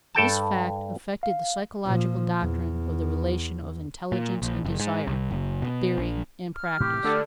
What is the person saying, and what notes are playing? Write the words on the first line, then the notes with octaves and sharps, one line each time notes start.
This fact affected the psychological doctrine of the relation of intelligence and desire, theory and practice.
G2 A4 G5 A5
F5
A#2 F3
E2
A#2
A#1
F#1
G#2
C2
F#1
B2
A#1
F6
A2 C3 E3 G4
D3 A3